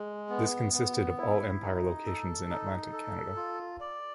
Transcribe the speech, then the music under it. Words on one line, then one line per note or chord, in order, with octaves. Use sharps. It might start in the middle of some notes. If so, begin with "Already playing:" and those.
This consisted of all Empire locations in Atlantic Canada.
Already playing: G#3
B3
B3
E4
D#4
A4
D#4
A4
F4
D5